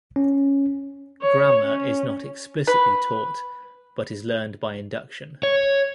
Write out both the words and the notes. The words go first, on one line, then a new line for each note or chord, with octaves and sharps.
Grammar is not explicitly taught, but is learned by induction.
C#4
C#5
C#4
B4
C#5